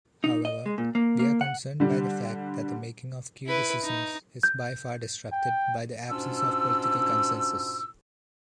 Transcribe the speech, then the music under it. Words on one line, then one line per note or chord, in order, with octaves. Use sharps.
However, we are concerned by the fact that the making of key decisions is by far disrupted by the absence of political consensus.
D#4
D#5
G#3
A#2
A#3
A#3
F#5
D3 G3
E4 B4
D#4
G6
G5
G#2 B2 C#4 D4 F4 E6